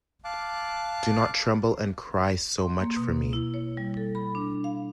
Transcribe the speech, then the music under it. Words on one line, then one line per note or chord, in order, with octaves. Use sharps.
Do not tremble and cry so much for me.
F5 A5 D6 F#6
C6
A#3
B2
E4
C#5
G3
A4
B5
D4
F5